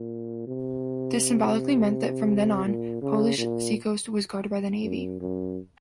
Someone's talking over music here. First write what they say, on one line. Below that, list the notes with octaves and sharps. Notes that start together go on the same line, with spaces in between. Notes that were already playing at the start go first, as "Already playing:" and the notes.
This symbolically meant that from then on, Polish seacoast was guarded by the Navy.
Already playing: A#2
C3
A#2
C#3
A#2
F#2
F#2